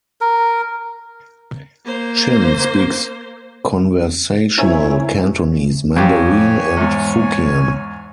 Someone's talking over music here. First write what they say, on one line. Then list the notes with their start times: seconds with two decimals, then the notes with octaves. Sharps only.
Chin speaks conversational Cantonese, Mandarin and Fukien.
0.21 A#4
1.86 A#3 C5
4.58 C4 E4 A#4 C#5 E5 G#5
5.96 F2 G4 C#5 G#5
6.77 E2 G#2